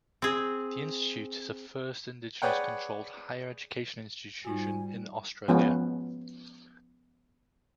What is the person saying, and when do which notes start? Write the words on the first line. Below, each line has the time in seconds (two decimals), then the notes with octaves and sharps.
The Institute is the first Indigenous-controlled higher education institution in Australia.
0.22 C4 G#4
2.42 G#4 B4 C#5 D5 F#5 G5
4.45 G#2 G3 D#4 F4 F#4 G#5
5.48 F3 G#3 B3 C#4